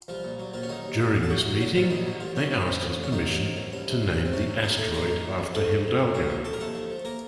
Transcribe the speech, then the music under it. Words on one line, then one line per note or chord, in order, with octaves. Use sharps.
During this meeting, they asked his permission to name the asteroid after Hidalgo.
C2 F3 F4
A#2
F#3
A#1 F3 F4
C#4
D#3 F#3 D#4
D#2
F#3
F#3
A4
C3 F#3 F#4
F#3
A#2 F#3 F#4
C2 F3 F4
A#1 D#3 D#4
F#3
A1 F3 F4
F#3 C#4
F3
F3
A1
A1
C#4
A1 D#3 D#4
A1
F3
F#2
C2 C#4
C3
F3
C#2
C4
C3 C#4
C3
D#3 D#4
D#3 A3 A4
F2 A#3 A#4
D#3
F#2
F3
F2 A3 A4
F2
A2
A2
D#2 F#3 F#4
F3
F3 A4
A#4
D#2 A3 A4
F3
F3
A#3 A#4